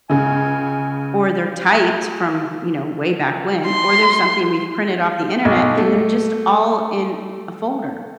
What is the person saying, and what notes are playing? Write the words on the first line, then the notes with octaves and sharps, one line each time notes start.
or they're typed from, you know way back when, or they're something we've printed off the internet, and they're just all in a folder,
C#2 C#3 G#5
C6
B1
A3